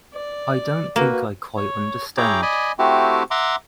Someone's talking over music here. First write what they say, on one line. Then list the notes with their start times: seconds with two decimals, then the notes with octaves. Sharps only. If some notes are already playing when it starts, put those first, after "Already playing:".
I don't think I quite understand.
0.14 D5
0.96 A#3 F#4 B4
1.57 C#5
2.17 E4 G#4 C#5 G5 A#5 D6
2.42 D5 D#5 G#5 B5
2.79 A3 C4 E4 F#4 G4
3.31 E5 F#5 A#5 C6 D6